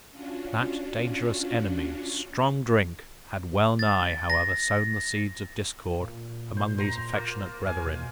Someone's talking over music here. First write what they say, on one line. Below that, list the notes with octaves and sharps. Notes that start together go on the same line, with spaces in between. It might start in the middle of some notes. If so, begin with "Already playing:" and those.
That dangerous enemy, strong drink, had well nigh, however, sown the seeds of discord among these affectionate brethren.
C#4 D4 F4 F#4
A6
A#6
A#2
C5
A#5 C6
A#3 F4
E2 F5 G#5
B2